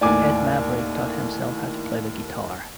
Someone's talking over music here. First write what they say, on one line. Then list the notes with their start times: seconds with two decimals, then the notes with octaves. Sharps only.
Ed Maverick taught himself how to play the guitar.
0.01 D#2 A2 D5 G#5 D6